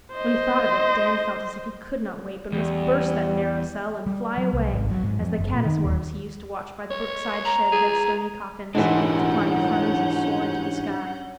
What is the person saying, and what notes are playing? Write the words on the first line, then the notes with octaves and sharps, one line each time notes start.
When he thought of it Dan felt as if he could not wait, but must burst that narrow cell and fly away, as the caddis-worms he used to watch by the brookside shed their stony coffins, to climb the ferns and soar into the sky.
C5 D#5
E2 G3
G3
F#3
C2
G#1
F#3
G#2
F2
F#1
A#2
D#3
D#1
C#5
A#5
G#4
G#2 E3 C#4 D4 F#4 G4 F#5 G6